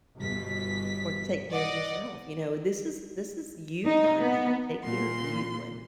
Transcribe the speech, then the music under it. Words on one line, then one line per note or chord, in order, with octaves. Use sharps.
or to take care of yourself, you know? This is this is you-time now, take care of you and
G1 B2 B6
D5 D#5 F#5
D#4
B3
A#2 C6